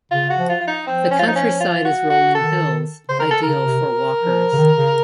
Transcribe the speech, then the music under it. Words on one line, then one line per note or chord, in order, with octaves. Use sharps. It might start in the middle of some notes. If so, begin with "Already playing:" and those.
The countryside is rolling hills ideal for walkers.
C#3 F4
F#4
F3
F4
F4
D#4
F3 C4
C#4
F4
D#4
C#4
F4
F#4
F#4
D#3 A4
C#3 C5
A#4
A4
C#3 A#4
C3
F3
C#3
D#3
C#3